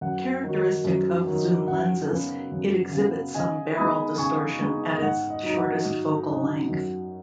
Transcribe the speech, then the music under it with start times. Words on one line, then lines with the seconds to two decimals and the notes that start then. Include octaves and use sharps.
Characteristic of zoom lenses, it exhibits some barrel distortion at its shortest focal length.
0.01 F#2 F#5
0.44 D#3 F#3 D#4
0.84 F#2
1.26 D#3 F#3 D#4
1.68 F#2 F#5
2.09 C#3 B3
2.51 F#2
2.93 C#3
2.98 B3
3.35 C#3 D#5 G#5
3.77 G#3 B3 D#4 B5 D#6
4.18 C#3 G#5 C#6
4.61 G#3 B3 D#4
4.93 D#5
5.02 G#2 F#5
5.30 D#5
5.43 F#3 D#4
5.58 F#5
5.85 G#2
6.27 F#3 D#4
6.69 F#2